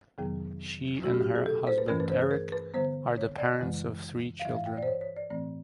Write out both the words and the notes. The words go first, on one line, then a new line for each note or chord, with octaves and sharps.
She and her husband Eric are the parents of three children.
F2 C3 D#3 F#3 B3 G#4
B2 F#3 A3 C#4 F#4
G4
G4
G#4
A4
C5
B4
G2 E3 A3 C#4 A#4
B4
C5
G#4
A#4
B4
D3 G3 B3 C5
C#5
D5
F#2 C#3 E3 G#3
F5
G2 E3 G3 E5
F5
G5
D5
C5
C#5
C#5
D5
A2 E3 A3 C4 D5